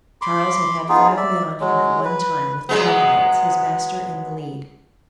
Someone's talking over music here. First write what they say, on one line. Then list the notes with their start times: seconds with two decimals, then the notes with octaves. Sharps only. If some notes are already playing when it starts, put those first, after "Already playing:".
Charles had had five men on him at one time, with cowhides, his master in the lead.
0.21 B5 C6 D6
0.89 B3 D#4 F4 G#4
1.17 D5 E5
1.60 F#3 G#3
2.05 B4
2.69 F#3 G#3 B3